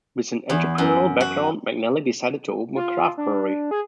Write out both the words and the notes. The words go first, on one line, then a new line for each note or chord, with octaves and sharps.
With an entrepreneurial background, McNally decided to open a craft brewery.
E2
F#2
F#4
F4
D4
G#4